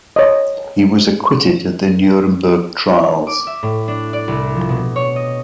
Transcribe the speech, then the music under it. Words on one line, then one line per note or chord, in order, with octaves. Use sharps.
He was acquitted at the Nuremberg trials.
C#5 D#5
D6
E5
A2
D4
D5
C2
F3
B2
C#5
D#5